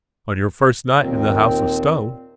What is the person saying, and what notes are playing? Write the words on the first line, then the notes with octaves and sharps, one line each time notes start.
"On your first night in the House of Stone."
D#2 A#2 C4